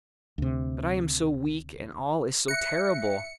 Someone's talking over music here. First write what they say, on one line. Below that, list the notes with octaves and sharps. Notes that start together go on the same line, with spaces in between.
But I am so weak, and all is so terrible.
D2 C3
E5 F#6 A#6 C#7